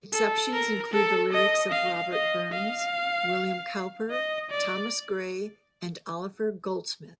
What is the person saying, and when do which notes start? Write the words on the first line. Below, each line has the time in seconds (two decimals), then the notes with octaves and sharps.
Exceptions include the lyrics of Robert Burns, William Cowper, Thomas Gray, and Oliver Goldsmith.
0.13 A4
0.53 A#4
0.93 A4
1.33 D#5
1.72 F5
2.12 D#5
2.52 F5
4.11 D#5
4.51 D5